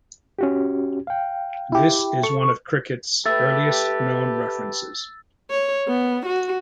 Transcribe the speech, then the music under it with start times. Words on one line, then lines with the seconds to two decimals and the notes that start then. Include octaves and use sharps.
This is one of cricket's earliest known references.
0.39 C#4 F#4 G4
1.07 F5 G5
1.72 E4 G4
2.23 A4 C#6
3.26 G4 A4 B4 E5 A5 E6 A6
5.51 C#5
5.88 B3
6.26 F#4